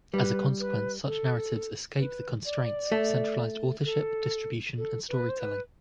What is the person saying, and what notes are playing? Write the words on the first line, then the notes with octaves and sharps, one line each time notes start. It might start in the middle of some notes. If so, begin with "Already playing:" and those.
As a consequence, such narratives escape the constraints of centralized authorship, distribution, and storytelling.
G3 B4
B4
A4
B4
D5
A3
A4
A4
B4
C5
B4